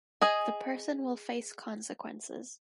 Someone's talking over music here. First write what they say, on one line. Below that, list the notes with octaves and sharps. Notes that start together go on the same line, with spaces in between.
The person will face consequences.
G#4 D#5 G#5